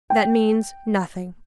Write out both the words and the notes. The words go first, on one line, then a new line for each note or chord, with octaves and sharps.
That means nothing.
G5